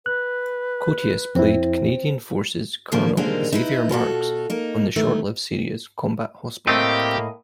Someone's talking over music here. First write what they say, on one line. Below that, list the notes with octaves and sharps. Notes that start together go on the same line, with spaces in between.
Koteas played Canadian Forces Colonel Xavier Marks on the short-lived series, "Combat Hospital".
B4 F#6
F2 C4 E4
A#2 D3 F3 G3 A#3
D3 D#3 G3 G#3 A#3 C4
D#4 E4 B4
B2 F4 F#4 A4
A#3 D#4
D#3 E3 A3
A2 A3 A#3 C4 G4 D#5